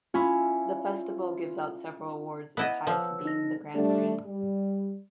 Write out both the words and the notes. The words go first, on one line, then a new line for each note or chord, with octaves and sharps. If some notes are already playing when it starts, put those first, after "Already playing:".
The festival gives out several awards, its highest being the Grand Prix.
C#4 E4 F4
B3 E4 D#5
F3 B4 C#5 E6
D#4 A#6
G3 A3 D4
G3